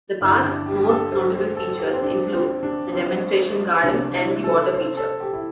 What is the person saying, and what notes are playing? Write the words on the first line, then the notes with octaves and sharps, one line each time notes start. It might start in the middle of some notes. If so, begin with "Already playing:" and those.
The park's most notable features include the demonstration garden and the water feature.
G1 G2 D3 E4
D4
G4
G4
A4
C5
C5
A4
G4
C4
D4
C4
D4
C4
C2 C3 A3 D4
E4
A4
C5
A4
G4
E4